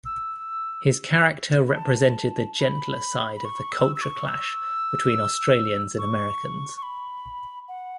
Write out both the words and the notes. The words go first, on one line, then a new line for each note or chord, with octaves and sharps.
His character represented the gentler side of the culture-clash between Australians and Americans.
E6
B5
A5
B5
B5
C#6
E6
E6
C#6
E6
C#6
C#6
B5
F#5